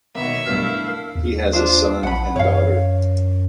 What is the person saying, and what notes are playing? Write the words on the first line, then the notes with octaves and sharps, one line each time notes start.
He has a son and daughter.
B2 D#3 A#3 B3 C#5 E5
B1 G2 B2 A3 D4 E4 A#4 F5
D#2
D4 F4 C5
A#1 F#5 B5
F#2 C#5 F5